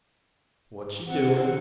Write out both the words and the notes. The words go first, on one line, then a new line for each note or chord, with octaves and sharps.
"What you doin'?"
C4 F#5